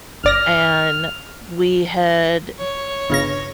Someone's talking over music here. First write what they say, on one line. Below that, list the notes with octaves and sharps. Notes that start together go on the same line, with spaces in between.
And we had
G1 D5 F6 A#6
C#5
G1 C#3 A#6